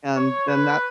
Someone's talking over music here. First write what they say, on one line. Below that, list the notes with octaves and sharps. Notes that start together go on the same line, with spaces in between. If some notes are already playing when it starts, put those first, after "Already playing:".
and then that's
C#5
B4